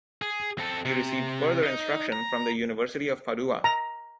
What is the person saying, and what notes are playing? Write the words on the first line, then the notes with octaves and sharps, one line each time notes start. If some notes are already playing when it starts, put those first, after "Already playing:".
He received further instruction from the University of Padua.
G#4
C4 A4
C3
D#4
A#5
A#5